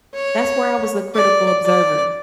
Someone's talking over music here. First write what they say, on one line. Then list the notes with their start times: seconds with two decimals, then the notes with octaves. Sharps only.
That's where I was a critical observer.
0.15 C#5
1.15 D5
1.65 D5